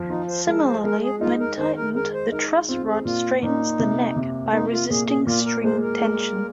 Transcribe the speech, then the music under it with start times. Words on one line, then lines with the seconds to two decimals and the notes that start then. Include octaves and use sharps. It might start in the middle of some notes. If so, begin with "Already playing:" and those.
Similarly, when tightened the truss rod straightens the neck by resisting string tension.
Already playing: F3
0.09 D#4 F4
0.28 C5
0.47 G#3 A#4
0.65 C5
0.84 G#3 A#4
1.03 G#4
1.21 D#4 F4
1.40 A#4
1.58 D#3 C5
1.77 A#4
1.95 G#3 A#4
2.14 C5
2.32 D#4 A#4
2.69 C4 F4
2.87 G#4
3.05 A#2 F4
3.42 A#2 D#4
3.79 C3
4.16 C3
4.52 A#3 D#4
4.72 F4
4.90 A#2 G#4
5.08 G#4
5.26 A#2 F4
5.45 A#4
5.64 G#3 C5
5.82 A#4
6.00 G#3